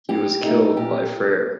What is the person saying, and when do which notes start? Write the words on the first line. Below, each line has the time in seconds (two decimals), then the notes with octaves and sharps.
He was killed by Freyr.
0.09 A2 G4
0.43 A3 D#4
0.77 A#2 G4